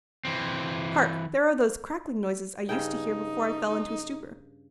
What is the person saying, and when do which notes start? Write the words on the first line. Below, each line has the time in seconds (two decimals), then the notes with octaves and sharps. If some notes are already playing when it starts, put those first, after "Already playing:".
Hark! there are those crackling noises I used to hear before I fell into a stupor.
0.25 E3 C4
2.69 G2 C#3 D#4 G5